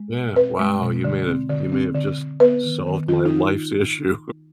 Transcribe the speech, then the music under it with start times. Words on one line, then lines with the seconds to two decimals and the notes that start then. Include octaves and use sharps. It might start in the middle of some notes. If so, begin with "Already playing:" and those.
Yeah, wow. You may have you may have just solved my life's issue.
Already playing: G#3
0.13 B2
0.36 C4 B4
0.60 G#3
0.82 B2
1.04 D3
1.27 C4
1.49 D3
1.72 C4
1.95 D3
2.19 D3
2.40 B3 B4
2.64 D#3
2.86 D#3
3.08 D#3 F4
3.26 D#4